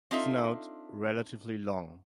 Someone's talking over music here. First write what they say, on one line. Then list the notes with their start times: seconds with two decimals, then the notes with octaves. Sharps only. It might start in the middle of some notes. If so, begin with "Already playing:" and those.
Snout relatively long.
0.11 C4 D4 D#4 F4 A4 E5